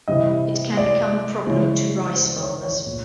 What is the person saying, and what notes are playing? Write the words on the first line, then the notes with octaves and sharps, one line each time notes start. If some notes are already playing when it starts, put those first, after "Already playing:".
It can become a problem to rice farmers.
C3 E3 G3 D#5
D5
C#3 E3 G#3 C#5
C5
C#5
C#5
A#2